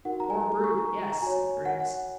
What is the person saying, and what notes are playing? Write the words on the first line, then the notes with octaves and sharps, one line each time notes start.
"Poor brute, yes," said Griggs.
D#4 F#4 A#4 F#5
A#5
G#5
A#5
C#6
A#5
A#5
F#4 C#5 G#5
F#5
F#5